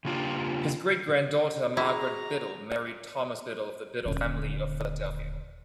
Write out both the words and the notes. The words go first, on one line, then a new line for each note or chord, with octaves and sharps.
His great-granddaughter Margaret Biddle married Thomas Biddle of the Biddle family of Philadelphia.
C#3 A#3 D4 F4 G4
E4 F#4 G#4 A#5
D#1 D3